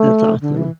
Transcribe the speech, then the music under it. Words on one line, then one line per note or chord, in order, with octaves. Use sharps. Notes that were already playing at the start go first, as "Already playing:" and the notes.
That's awesome.
Already playing: A3
D3
E3